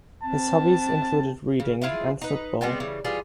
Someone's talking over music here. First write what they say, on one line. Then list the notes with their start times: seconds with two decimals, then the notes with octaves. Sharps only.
His hobbies included reading and football.
0.23 C4 A5
1.60 C#3
1.82 E4 F4 G#4 E5
2.22 D#4 B4
2.61 G3 G#3 B3 C4
2.80 C#3 E3 G3
3.04 E3 G3 F4 G#4